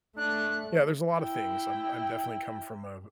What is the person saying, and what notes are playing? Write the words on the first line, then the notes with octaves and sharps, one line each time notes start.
Yeah, there's a lotta things. I'm I'm definitely come from a
A3 D4 F#6
E4 G5